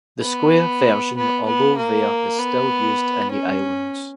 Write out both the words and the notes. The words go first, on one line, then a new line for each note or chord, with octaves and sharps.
The square version although rare is still used in the islands.
B3
B3
B3
A#3
B3
C#4